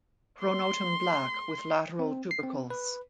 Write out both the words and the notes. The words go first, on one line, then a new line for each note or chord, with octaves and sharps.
Pronotum black with lateral tubercles.
C6
C4
C7
C4
B4